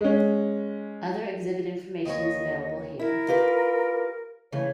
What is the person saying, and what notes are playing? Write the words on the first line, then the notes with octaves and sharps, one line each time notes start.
Other exhibit information is available here.
G#3 C#4
D#2 C#5 D#5
E4 A#4
F4 G4 B4
C#3 E3 A3 C#5